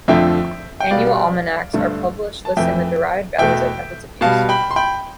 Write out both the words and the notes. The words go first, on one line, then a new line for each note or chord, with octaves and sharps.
Annual almanacs are published listing the derived values and methods of use.
F2 D3 F3 A3 E5 G5
G5
B2 G3 D5 F5
G2 D3 A3
A5
F2 E3 A3 E5 G5
E2 B2 A3 E5 G5
B2 G3 F5 A5
G5 B5
C6
G5 B5